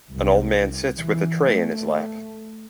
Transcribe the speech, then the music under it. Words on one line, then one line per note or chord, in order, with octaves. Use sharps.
An old man sits with a tray in his lap.
C2
E3
A3